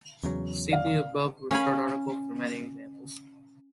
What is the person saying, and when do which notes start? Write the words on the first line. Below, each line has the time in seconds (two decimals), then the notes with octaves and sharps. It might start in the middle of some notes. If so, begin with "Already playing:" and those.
See the above referred article for many examples.
0.23 E2 C#3 F#3
0.71 D5 F5
1.51 C#4 F5 G#5 B5